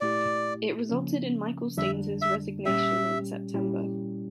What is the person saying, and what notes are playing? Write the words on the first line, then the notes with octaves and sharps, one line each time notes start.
It resulted in Michael Staines' resignation in September.
A#2 A3 E4 G4 D5
C#3 F3 A#3 C#4
F2 D3 G3 D4 E5
E5
A#2 G3 C#4 G4 E5
A#2 G3 C#4 E4 G4